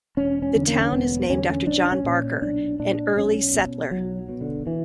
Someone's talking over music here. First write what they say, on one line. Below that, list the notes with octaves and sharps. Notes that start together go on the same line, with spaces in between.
The town is named after John Barker, an early settler.
E1 C#4
C#4
E2 D3
A#3
C#4
E1 B3
E2 D3 C#4
B1 D4
C#4
A#2
B1 D4
A#2 D4
B1 C#4
B2
B1 F#3
B2
D3
E3